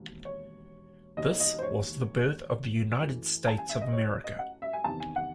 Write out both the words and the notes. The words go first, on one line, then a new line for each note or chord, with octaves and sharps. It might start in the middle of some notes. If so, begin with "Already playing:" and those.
This was the birth of the United States of America.
Already playing: E1 D#2 D#3
C#5
E1 D#2 D#3 D#5
D#5
C5
C#5
F#2 E3 A3
A5
G#5
E5
D#5
C#5
D#5
F#5
E5
G#5
E2 C3 D#3 A5
G#5
F#5